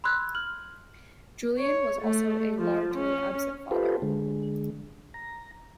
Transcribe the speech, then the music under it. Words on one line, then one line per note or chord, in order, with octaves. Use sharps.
Julian was also a largely absent father.
B5 C6 E6 F#6 G#6
F6 F#7
C#5
A3
F3
C#4
F4 G4 A4 B4 C5
D3 G#3
A#5